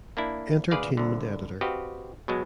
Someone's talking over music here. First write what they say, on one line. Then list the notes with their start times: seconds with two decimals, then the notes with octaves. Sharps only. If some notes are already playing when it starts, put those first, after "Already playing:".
Entertainment editor.
0.17 A#3 D4 E4
0.71 D2 G#4 B4 D5 F5
0.97 C2 D3
1.61 C4 F#4 G4 B4 D#5 F5
2.28 B2 F#3 G#3